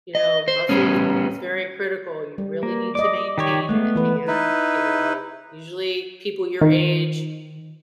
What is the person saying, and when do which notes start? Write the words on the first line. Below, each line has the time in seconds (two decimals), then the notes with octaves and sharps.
you know, muscles is very critical. You really need to maintain it. And, you know, usually people your age,
0.15 D#5
0.48 C5
0.69 G3 B3 C#4
2.38 G3
2.63 A#3
2.95 D5 D#5 D6
3.38 D#3 G4 C#5
3.69 G#3 A3 B3
3.96 E3 B4
4.27 D#4 E4 B4
6.61 D#3